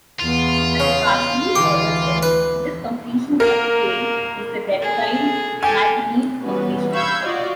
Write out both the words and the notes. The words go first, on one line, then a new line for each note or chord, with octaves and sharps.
As a partially ordered set, this completion of "A" is the Dedekind-MacNeille completion.
E2 B3 F4
C#3
D2 E3 G5 D6
B4
A#3 A#4
G#4 A4
G4 A4 G#5
E3 G3 B3 C#4 F#4 B4
F5 B5 C#6 E6 G6 G#6
F4 F#4 D5 D#5 F5